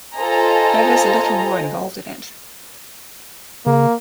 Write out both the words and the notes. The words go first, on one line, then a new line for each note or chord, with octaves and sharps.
There is a little more involved in it.
F4 A4 C5 D#5 G#5 A#5
C#3 A#3